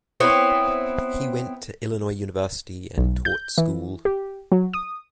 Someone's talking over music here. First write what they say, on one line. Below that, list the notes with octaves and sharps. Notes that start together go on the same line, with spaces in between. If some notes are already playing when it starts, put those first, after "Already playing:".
He went to Illinois University and taught school.
B3 C4 E4 C#5
B1
G6
E3
G4
F#3
D#6